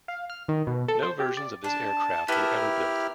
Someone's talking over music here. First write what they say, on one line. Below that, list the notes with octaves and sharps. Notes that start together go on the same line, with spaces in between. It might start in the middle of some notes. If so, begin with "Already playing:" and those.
No versions of this aircraft were ever built.
F5
F6
D#3
B2
A4
C5
G4
D5
D4 A5
B3 E4 G4 A#4 F6